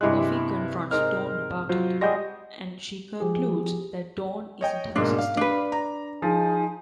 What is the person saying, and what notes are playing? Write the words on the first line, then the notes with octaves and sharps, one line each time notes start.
Buffy confronts Dawn about it, and she concludes that Dawn isn't her sister.
G2 C3 G#3 E4 F#6
G#2 D#4 A#4 C5 F6
F#3 F4 C5
G3 G#3 F#4 D#6 G6 A#6
F3 G4 G#4
C#5 D#5 G5
G#2 B2 A#3 D4
F5
D4 B4
A#5
F3 D#4 G#4 G#5